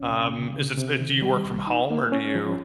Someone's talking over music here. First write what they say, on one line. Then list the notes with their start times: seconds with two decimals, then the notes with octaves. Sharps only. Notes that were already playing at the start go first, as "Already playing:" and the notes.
Um, is it so do you work from home or do you
Already playing: C#2 C#4
0.10 C3
0.33 C#3
0.55 C#3
0.77 C3
0.99 D#3
1.22 G3
1.45 C2
1.67 D#4
1.90 A#3
2.12 C#4
2.35 F3